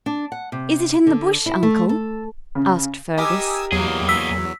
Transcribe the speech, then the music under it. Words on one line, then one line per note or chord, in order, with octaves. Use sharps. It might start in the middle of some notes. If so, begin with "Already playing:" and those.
"Is it in the Bush, Uncle?" asked Fergus.
D4
F#5
C3
D3
E4
A3
A4
C#3
D#4 G4 A#4 G#5 D#6 E6
E2 F#3 A#3 G#4
E6 B6